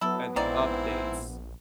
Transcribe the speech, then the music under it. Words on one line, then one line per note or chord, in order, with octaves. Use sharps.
and the updates
F#3 B3 E4 A4
A#1 G#2 D#3 C4 E4 D5